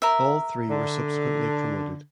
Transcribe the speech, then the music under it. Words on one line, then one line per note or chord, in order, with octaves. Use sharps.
All three were subsequently promoted.
A#4 E5
D3